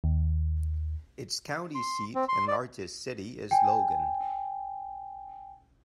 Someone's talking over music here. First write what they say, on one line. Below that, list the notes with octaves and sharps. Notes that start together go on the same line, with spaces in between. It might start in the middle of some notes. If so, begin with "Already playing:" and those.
Its county seat and largest city is Logan.
D#2
C6
C4
C6
D5
G5 G#5